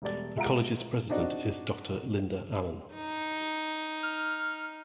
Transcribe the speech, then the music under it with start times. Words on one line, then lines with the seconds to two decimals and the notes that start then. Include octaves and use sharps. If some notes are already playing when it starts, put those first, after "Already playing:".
The college's president is Dr.Linda Allen.
0.02 E1 G3 A3 D5 A6
0.36 G#3 F4 E5 F#5 A#5 D7
1.09 C4 D4 D#4 F#4 D5 D#5
2.93 D#4
4.03 F6